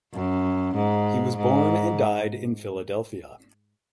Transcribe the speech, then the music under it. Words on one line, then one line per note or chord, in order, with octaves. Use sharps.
He was born and died in Philadelphia.
F#2
G#2
G#2